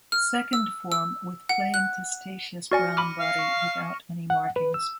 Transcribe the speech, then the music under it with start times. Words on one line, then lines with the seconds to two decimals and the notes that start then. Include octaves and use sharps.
Second form with plain testaceous brown body without any markings.
0.12 F6
0.53 E6
0.92 E6
1.49 F#5
1.74 F#6
2.72 F#4 D5 G#5 F6 A#6 C#7
2.97 B5 D6 F6 D#7
3.20 F5
3.39 C#6
4.30 F#5
4.56 B4
4.74 E6